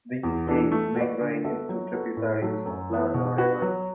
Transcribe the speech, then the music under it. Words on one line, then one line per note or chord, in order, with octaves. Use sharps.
These caves may drain into tributaries of larger rivers.
E2
E3 B3 D4 A4
A3
F#4 B4 D5
D3
B3 F#4 A4 E5
F#3
B3 F#4 A4
A2
F#3 A3 F#4
F#2
E3 B3
B2
B3 F#4 B4
F#3